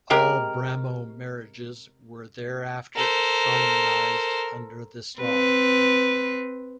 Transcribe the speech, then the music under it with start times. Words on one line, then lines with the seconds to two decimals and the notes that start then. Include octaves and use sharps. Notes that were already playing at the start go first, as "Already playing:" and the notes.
All Brahmo marriages were thereafter solemnised under this law.
0.10 C3 G#3 G4 A#4
2.95 A4 A#4 C5
5.20 C4 B4